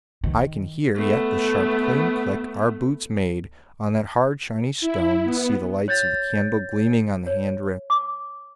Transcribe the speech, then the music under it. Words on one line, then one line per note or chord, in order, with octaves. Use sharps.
I can hear yet the sharp clean click our boots made on that hard shiny stone--see the lights of the candle gleaming on the handrail ...
D#3
A3 B3
E4
B3
C#5 G6 A6
C#5
D6